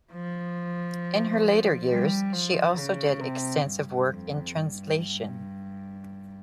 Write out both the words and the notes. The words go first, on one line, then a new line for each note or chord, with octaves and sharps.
In her later years, she also did extensive work in translation.
F3
G3
F3
C#3
C3
G2
F2
G2